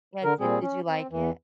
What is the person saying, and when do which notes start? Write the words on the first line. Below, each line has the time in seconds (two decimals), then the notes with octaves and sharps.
Yeah, did did you like it?
0.24 D3 A#4
0.40 A#2 G3 C4 G#4
0.62 C#4
0.89 C4
1.11 E2 E3